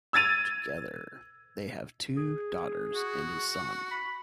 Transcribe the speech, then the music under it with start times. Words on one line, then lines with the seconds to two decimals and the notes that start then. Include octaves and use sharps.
Together they have two daughters and a son.
0.13 E6 G#6 A6 D#7 F7
2.17 G#4
2.95 F#4
3.91 B5